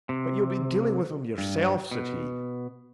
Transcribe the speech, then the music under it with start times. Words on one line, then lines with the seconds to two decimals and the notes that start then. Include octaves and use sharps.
"But you'll be dealing with him yourself!" said he.
0.09 C3
1.38 G2
1.91 B2